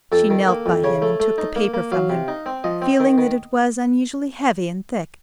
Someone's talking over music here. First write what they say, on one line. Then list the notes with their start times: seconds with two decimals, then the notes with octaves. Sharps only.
She knelt by him and took the paper from him, feeling that it was unusually heavy and thick.
0.12 F2 A4
0.30 D#3
0.48 A#3
0.66 F2
0.84 C#3 C#5
1.02 A3
1.20 A3
1.38 D#4
1.56 A#3
1.74 A#3
1.92 F#3 F5
2.10 C3
2.28 D#4
2.46 C4
2.64 F3 D#5
2.82 C4
3.00 D#3
3.18 D#3